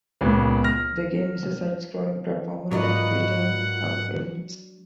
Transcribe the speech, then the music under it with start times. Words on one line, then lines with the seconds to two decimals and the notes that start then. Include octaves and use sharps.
The game is a side-scrolling platformer with beat 'em up elements.
0.21 C#2 A#2 B3
0.64 F6 A#6
2.71 G#2 F#3 D4 F4 A#4 B4 D#5 F#5